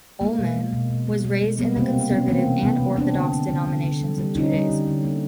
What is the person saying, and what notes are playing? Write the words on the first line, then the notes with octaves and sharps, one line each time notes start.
Ullman was raised in the Conservative and Orthodox denominations of Judaism.
G#3 A#3
B2
G#3
B2
B2
G#3
B2
G#3
G3 B3
C3 A#3 C4
C3
C3 B3 C#4
E3 A#3 C4
C3
C3 B3
C3
A#3 C4 D4
D3
D3
D3
D3
D3
G3
G3
D3 C#4 D#4
G3
D3
D3
A#3